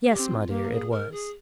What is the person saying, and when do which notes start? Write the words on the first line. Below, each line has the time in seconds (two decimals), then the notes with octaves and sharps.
'Yes, my dear, it was.'
0.09 G4
0.19 C4
0.29 F4
0.40 F4
0.50 A#3 G4
0.71 G#4
0.91 A#4
1.11 G#4